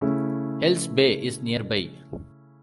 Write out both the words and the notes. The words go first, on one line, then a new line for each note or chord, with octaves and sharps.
Hells Bay is nearby.
C#3 A3 C#4 E4